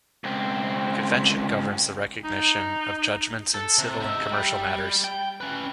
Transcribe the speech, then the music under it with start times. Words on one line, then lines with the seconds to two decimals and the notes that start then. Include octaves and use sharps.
The convention governs the recognition of judgements in civil and commercial matters.
0.24 C#2 C4
2.24 D#4
3.54 A4
3.78 C3
4.00 D#4 E5
4.32 G3
5.04 G5
5.41 C#4 B4